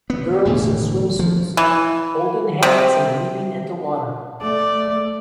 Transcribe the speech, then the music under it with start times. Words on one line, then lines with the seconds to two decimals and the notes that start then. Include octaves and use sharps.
Girls in swimsuits, holding hands and leaping into water.
0.10 B3
0.45 E1 A2 D3
1.19 F3
1.57 E3
2.63 C3
4.41 A3 D5